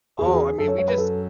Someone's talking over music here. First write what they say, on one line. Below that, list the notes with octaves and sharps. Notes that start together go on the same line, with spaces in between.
oh, I mean, we just
E2 G#4
F#4
G#4
F#2 A4
C#5
C#5
B4
A4